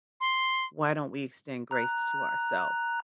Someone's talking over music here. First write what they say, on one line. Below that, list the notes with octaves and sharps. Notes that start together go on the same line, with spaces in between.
Why don't we extend grace to ourself?"
C6
A#5 F#6